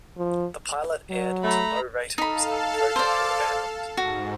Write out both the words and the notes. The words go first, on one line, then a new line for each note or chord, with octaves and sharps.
The pilot aired to low ratings and the project was abandoned.
F3
F#3
A3 A#5 B5
D#4 A4 F5 A5 B5
C5 D5
G#2 F#4